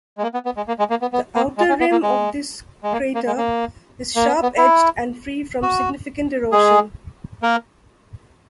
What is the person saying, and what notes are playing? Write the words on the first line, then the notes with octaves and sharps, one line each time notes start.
The outer rim of this crater is sharp-edged and free from significant erosion.
G#3
A#3
B3
B3
G#3
A#3
G#3
A#3
B3
B3
A#3
G#3
C#4
B3
A#3
G#3
G#3
A#3
A#3
G#3
A#3
A#3
B3
B3
E4
F#4
G#3 G#4
A#3 A#4